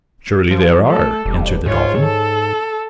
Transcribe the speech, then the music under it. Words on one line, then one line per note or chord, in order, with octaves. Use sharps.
"Surely, there are," answered the Dolphin.
F3
A3 A4
E1 G3
G#2 F4 C#5
A4